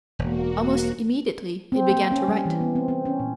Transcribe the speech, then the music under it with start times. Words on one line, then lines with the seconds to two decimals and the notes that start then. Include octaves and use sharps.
Almost immediately it began to write.
0.19 E1 A#3 F#4
1.72 C4
1.90 A#3
2.12 C#4
2.28 G3
2.45 E3
2.61 B3
2.76 C4
2.88 C4
3.05 C#4
3.20 A#2